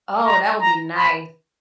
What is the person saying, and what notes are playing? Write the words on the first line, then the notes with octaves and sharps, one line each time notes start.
Oh, that would be nice.
A#5
A#5
B5